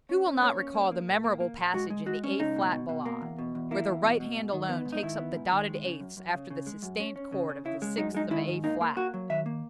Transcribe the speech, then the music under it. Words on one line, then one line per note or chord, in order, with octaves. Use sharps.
Who will not recall the memorable passage in the A flat Ballade, where the right hand alone takes up the dotted eighths after the sustained chord of the sixth of A flat?
C#4
C#4
A#3 C#5
C#4
A#3
A#3
A#2
A#3
A#3
A#2
G#3 F#4
G#3
G#3 F#4
C#4
C#2 D#4
B2
B2
B2
A#3
E2
B2
E2
A#3 E4
E2
B2
B2
G#2
D#3
B3
G#2
D#4
D#3 E4
B3
G#2
D#3
G#3
C#3
F#2
F#2
C#3
C#3
G#3
F#2
C#4
C#4
C#3
C#3
C#3 E4
G#3
F#2 D#4
G#3 D#4
D#3 E4
G#2
A#3 D#4
A#3
A#3 F#4
F#3
D#3 E5
A#3